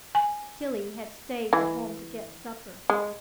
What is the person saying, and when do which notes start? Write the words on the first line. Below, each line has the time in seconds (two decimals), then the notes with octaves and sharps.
Tillie had stayed at home to get supper.
0.15 G#5
1.53 E3
2.90 G#3